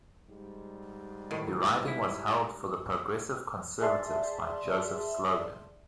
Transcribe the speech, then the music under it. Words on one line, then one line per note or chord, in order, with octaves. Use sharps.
The riding was held for the Progressive Conservatives by Joseph Slogan.
G#2 G3
A2 D#3
E4
G#4 D5 E5 A5 C6